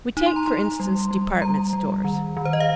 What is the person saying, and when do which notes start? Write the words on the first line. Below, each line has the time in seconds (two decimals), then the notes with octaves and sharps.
We take, for instance, department stores.
0.17 D#4
0.26 C6
0.36 A#5
0.46 D#4 C6
0.80 G3
1.11 G3
1.42 G3 A#5
1.73 G3
2.05 D#3
2.37 D#3
2.45 C5
2.53 D#5
2.60 F5